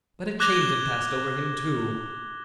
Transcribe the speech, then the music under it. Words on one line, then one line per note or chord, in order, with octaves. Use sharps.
But a change had passed over him, too.
D6 F#6 G#6 A#6 F7 G7